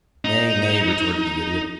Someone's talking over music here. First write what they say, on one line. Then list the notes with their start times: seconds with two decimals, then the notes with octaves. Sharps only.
"Nay, nay," retorted the Idiot.
0.25 D#4